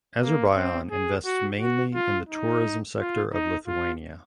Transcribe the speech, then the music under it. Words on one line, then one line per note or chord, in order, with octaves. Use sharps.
Azerbaijan invests mainly in the tourism sector of Lithuania.
A#3
C4
G#4
F#4
F#4
F4
D#4
F4
D#4
F4